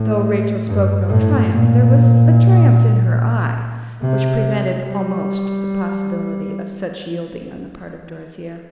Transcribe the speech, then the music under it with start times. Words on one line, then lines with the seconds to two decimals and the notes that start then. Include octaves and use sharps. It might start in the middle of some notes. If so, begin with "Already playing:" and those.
Though Rachel spoke no triumph, there was a triumph in her eye, which prevented almost the possibility of such yielding on the part of Dorothea.
Already playing: A2
0.67 G2
1.08 A2
1.50 A#2
4.01 C3
4.84 G3